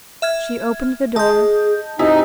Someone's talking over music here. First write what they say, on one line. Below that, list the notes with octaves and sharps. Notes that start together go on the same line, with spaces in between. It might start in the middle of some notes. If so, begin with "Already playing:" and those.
She opened the door.
E5 F6 G#6
G#4 D#5 A5 G6
C3 D#4 E4 F#4 D#5 G#5